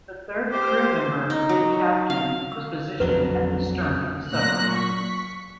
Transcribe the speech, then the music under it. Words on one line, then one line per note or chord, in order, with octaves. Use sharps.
The third crew member, the captain, was positioned at the stern of the submarine.
G4 C5
D#4
F#3
F5
E6
A#1 F2 F#3 B4
D#6
A#2 F#3 A#3 F#6 A#6
C#6 B6